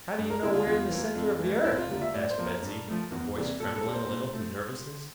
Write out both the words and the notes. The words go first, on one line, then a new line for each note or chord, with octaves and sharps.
"How do you know we're in the center of the earth?" asked Betsy, her voice trembling a little through nervousness.
G2
A#4
D3 G3 A#3 E4
F4
E2 F4
E3 A#3
F2
E3 A3
F2 E4
F4
D3 G3 A#3 F4
E5
A2 D5
C5
F3 A#3
A#4
G2
F3 A3
E2
C3 E3 G3 A#3
A#2 A4
A4
G3 A#3
C5
A#2
A3